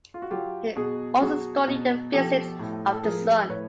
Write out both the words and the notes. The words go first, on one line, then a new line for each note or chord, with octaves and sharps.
He also studied the physics of the sun.
F4
F#4
F#3 F4 G4
B2 F#4 G#4
F#3 F#4 G#4
B2
F3 G4 A4
A2
A4
F3 G#4 A#4
A2 B4 C#5